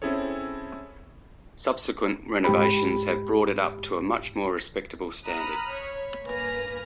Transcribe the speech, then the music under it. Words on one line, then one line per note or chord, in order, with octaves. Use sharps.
Subsequent renovations have brought it up to a much more respectable standard.
C4 C#4 E4 G#4 A4 C#5
G#2 G4 B5
A#5 B5 D#6 F6 F#6
C#5 B5
G2 A#3 B4 G#5 F6 A#6